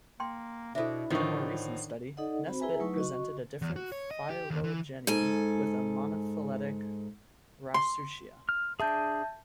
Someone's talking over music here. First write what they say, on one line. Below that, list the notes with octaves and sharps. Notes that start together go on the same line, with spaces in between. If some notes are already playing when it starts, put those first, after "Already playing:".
In a more recent study, Nesbitt presented a different phylogeny with a monophyletic Rauisuchia.
A#3 G5 C6
B2 D4 E4 A4 C5 E5
A2 D3 D#3 F3 D4 D#4 D#5 C#6
D#4 A4 D5 D#5 F#5
C4 F#4 C5 B5
E4 G#4 B4 E5 G#5 A#5
F#3 A3 D#4 E4 B4 C#6
F#4 D#5 C#6
E2
F#4
C#5
D#5
G4
D#2
E3
G#2 A4 G#5
C6
F6
D4 G#4 E5 A5 G6